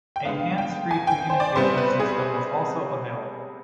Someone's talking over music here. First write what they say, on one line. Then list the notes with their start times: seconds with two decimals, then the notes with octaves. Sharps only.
A hands-free communication system was also available.
0.16 G5
0.25 D3 G#3 B3 F5
0.58 G5
0.91 G#5
1.07 G5
1.30 C5
1.40 D5
1.55 C3 G3 B3 C5
1.77 B4
1.99 G#4